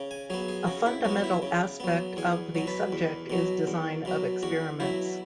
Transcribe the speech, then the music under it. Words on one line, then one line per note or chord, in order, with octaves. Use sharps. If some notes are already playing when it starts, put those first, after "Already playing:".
A fundamental aspect of the subject is design of experiments.
Already playing: C#3
G#5
F#3 B3 G#4
G#4
C#3 F#4
E4
F#3 B3 F#4
E4
C#3
F#3 B3
E2 G#4
B2 F#3
B4
E2
B2 F#3
E2
B2 F#3
E2 F#4
B2 F#3 E4